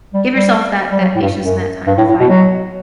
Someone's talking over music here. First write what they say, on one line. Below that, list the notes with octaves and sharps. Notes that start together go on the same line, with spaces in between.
give yourself that that patience and that time to find it.
G3
G3
G3
F#3
A2
G2
F#2
G2
A2
A2
B2
F#3